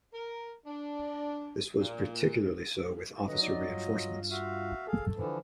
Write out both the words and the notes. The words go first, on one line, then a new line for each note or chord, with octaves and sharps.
This was particularly so with Officer reinforcements.
A#4
D4
A#2
D3 F#3 B4 D#5
D#4 D5
G2 F4
F#4 E5 F5
G#4 A4 F5
D3 E3 F3